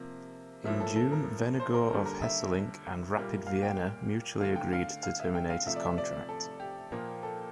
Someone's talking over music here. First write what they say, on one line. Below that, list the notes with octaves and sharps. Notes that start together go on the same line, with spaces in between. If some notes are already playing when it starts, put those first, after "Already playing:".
In June, Vennegoor of Hesselink and Rapid Vienna mutually agreed to terminate his contract.
Already playing: C3 F3 A#3
A2 F3 A#3 E5
A4
A4
A#4
C5
A#4
D3 G3 A#3 A4
A#4
E5
A#2 G3 A#3
F5
G5
D3 A3 F5
G5
F5
F5
E5
G5
F5
C3 F3 A3 E5
D5
E5
D5
A4
G4
A#2 F3 A#3
A4